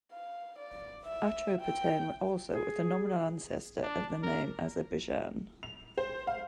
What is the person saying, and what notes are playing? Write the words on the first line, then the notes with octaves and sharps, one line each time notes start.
"Atropatene" also was the nominal ancestor of the name "Azerbaijan".
F5
D5
E5
G5
G#4
D4
A#4
F7
C5
F5